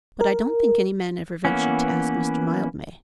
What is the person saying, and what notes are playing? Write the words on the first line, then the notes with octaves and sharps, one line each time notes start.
"But I don't think any man ever ventured to ask Mr. Mildmay."
A#4
E3 A#3 B3 C#4